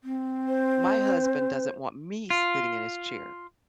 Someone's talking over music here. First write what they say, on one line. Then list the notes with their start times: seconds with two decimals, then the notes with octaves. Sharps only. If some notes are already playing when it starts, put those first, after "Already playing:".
my husband doesn't want me sitting in his chair,
0.04 C4
0.48 C5
2.30 F4